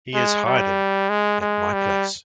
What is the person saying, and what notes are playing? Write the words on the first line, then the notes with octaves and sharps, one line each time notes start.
He is hiding at my place.
G#3
G3
G#3
G#3
G3